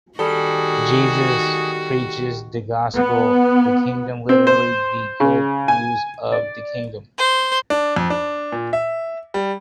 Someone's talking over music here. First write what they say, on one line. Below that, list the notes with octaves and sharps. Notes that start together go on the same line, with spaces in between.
Jesus preaches the gospel of the kingdom, literally the good news of the kingdom.
D#3 G3 F#4 G#4 A4
B3
C4
C5
C#3
G#5
D5
C5
D4
F2
D4
A#2
E5
G3